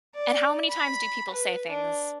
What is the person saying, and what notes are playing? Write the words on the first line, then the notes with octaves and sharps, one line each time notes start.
And how many times do people say things
D5
B5
B4
D4